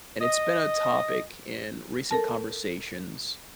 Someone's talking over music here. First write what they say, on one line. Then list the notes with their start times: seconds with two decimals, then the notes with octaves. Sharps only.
and it's been a topic in recent conversations,
0.21 D#5
2.11 A4 A#4 A5